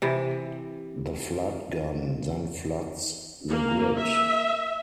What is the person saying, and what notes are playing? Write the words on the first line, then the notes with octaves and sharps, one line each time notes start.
The flood gun then floods the grid.
C3 E3
A#3
E5